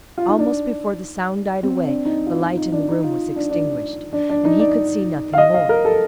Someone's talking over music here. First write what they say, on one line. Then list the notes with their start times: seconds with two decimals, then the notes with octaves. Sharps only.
Almost before the sound died away the light in the room was extinguished, and he could see nothing more.
0.18 F4
0.28 D#4
0.39 D4
1.63 C4
1.84 D4
2.05 D#4
2.27 F4
2.41 F4
2.57 D#4
2.72 D4
2.89 D#4
3.04 F4
3.36 D4
3.50 D4
4.13 D4
4.29 D4
4.45 D#4
4.60 D5
5.33 F5
5.38 D#5
5.54 F5
5.69 A#4
5.85 A4